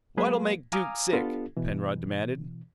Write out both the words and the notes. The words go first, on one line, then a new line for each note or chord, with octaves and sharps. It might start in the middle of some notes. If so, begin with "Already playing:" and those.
"What'll make Duke sick?" Penrod demanded.
F#3 G#3 A#3 G#4 B4 F5
F5 G#5 A#5 D6 D#6 F6
B3 D4 F4 G4 A4
B2 E3